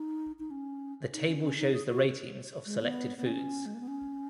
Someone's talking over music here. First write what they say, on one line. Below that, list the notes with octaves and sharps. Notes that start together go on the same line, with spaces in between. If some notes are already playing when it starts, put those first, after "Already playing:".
The table shows the ratings of selected foods.
Already playing: D#4
D#4
C#4
D#4
C#4
C#4
D#4
G#4
F#4
G#3
B3
B3
C#4
G#3
A#3
B3
C#4